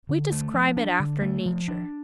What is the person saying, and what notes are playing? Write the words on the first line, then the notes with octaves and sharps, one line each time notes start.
We describe it after nature.
D3
A3
F3
D4
D3
A3
F3
D4